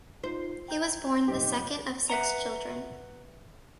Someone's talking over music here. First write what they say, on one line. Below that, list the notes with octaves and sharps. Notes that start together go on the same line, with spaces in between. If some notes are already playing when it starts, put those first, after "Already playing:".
He was born the second of six children.
D#4 F4 C5
G5 A#5 G6
C2 F#2 A#2 D#4 G4 D#5
B4 E5 F#5 A#5